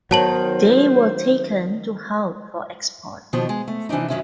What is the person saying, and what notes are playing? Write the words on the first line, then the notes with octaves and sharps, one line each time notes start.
They were taken to Hull for export.
D#3 F#3 B3 C5 C#5 A5 F#7
B2 D#3 F3
G#3
A3
C3 E3 F3 D4 D#4
F#2 C3 D#3 C#4 F4 E5